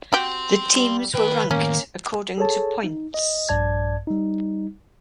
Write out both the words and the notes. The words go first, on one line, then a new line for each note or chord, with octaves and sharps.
The teams were ranked according to points.
F#4 G4 G5 C6
G3
D#3 B4 G5
A2 D#3 A#3 C#4
G#4 A4 C#5 A5
D#4
D#5
A#1 G2 D5 A5 G#6
G3 D#4